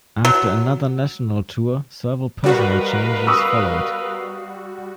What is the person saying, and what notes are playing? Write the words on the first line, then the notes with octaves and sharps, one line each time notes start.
After another national tour, several personnel changes followed.
F#3
G3 B3 F#4 A#4 B4 D#5 F5
C#6 D#6 E6